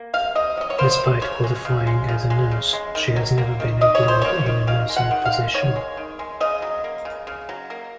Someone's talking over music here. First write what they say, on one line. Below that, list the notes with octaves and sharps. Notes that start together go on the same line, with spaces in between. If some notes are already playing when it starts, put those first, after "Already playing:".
Despite qualifying as a nurse, she has never been employed in a nursing position.
Already playing: A#3
C3 F5
C3 D#5
F#3 D#5
C#5
A#3 C5
C3
C#3 C#5
G#3
C#3
G#3
C#3
G#3
C#3
G#3
D#3
F#3
A#3
D#3
D#3 D#5
C#5
F#3
C5
A#3 C#5
D#3
D#3 F5
G#3
F#5
D#3
F5
G#3
D#3 C#5
G#3
D#3
G#3
C#3 D#5
F#3
A#3
C#3
C#3
F#3
A#3